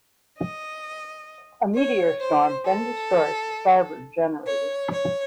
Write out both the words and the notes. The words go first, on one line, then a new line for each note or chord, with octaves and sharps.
A meteor storm then destroys the starboard generator.
D#5
C#5
C5
A4
C#5
C#5